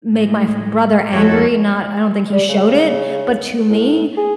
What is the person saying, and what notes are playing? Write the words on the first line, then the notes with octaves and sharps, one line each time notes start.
make my f brother angry, not I don't think he showed it, but to me,
A2 G#3
F2 E4 F#4 A4 C#5
G3
C#3
A2
G#4